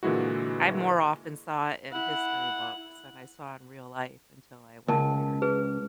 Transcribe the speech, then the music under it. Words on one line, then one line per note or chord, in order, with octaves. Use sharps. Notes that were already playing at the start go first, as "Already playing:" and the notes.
I more often saw in history books than I saw in real life until I went there.
A#2 D3 E3 G#3 E4 F#4
E4 F#5
C#2 A#4 A5
G#4 B4